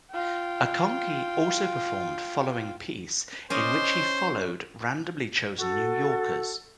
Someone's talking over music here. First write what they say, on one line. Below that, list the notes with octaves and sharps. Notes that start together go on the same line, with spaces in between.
Acconci also performed "Following Piece", in which he followed randomly chosen New Yorkers.
F4 G5
C#4 C5 D5 D#5
F#4 A4